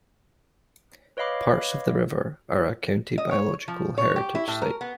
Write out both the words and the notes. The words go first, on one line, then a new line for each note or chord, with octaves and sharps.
Parts of the river are a County Biological Heritage Site.
B4 C#5 D#5 F5 B5 D6
D#5
C#5
F3
C#5
G4
E4
A2
A#4
B3